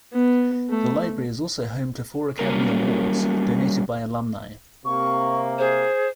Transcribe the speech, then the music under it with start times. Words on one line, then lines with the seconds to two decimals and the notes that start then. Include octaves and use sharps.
The library is also home to four Academy Awards, donated by alumni.
0.13 B3
0.69 A3
2.39 F#3 G3 A#3 C#4 A#4
4.85 C3 A#3 C#6
5.58 G#4 C5